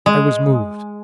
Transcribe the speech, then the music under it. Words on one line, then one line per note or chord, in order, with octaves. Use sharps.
I was moved.
G#3